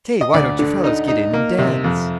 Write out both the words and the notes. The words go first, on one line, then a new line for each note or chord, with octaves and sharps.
"Say! why don't you fellows get in and dance?"
D#5
D2 D5
D3
D#4
D#4
A#3
C3
F2